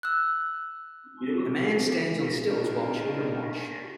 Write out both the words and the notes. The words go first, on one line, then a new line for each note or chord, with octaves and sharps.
A man stands on stilts while children watch.
E6 F#6
D2 A2 D3 D#3 D4 A#4